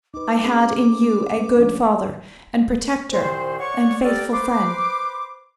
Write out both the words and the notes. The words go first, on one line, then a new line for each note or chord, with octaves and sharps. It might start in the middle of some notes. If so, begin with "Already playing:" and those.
I had in you a good father and protector and faithful friend.
D#4 B4 D6
C#4 G#4 A#4
B3
F3 C#4 D4
C2 A#2 D#3 C5
C#5 D5 F#5 C#6
G4 A4 A#4 D5
B4 C5 C6 D6